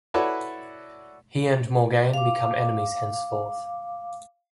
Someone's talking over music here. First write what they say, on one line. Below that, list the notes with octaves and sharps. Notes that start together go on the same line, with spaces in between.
He and Morgaine become enemies henceforth.
E4 F#4 A4 B4 C#5 D5
F5 D6